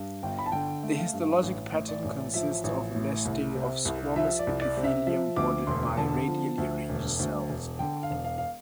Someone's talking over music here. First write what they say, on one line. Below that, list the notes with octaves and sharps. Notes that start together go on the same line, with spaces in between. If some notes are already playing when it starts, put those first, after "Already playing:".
The histologic pattern consists of nesting of squamous epithelium bordered by radially arranged cells.
Already playing: G2
G1 G5
B5
A5
D3 G5
A3
F5
G2
A1
A2
D5
A1
F3 E5
A1
A2
C2
C3
C2
F3 E5
D5
C2
D5
C3
E5
F3 E5
D2 D6
E1 C6
D3 A5
F3
D2
E1
D2
E1
D3 G5
F5
E1
F5
F5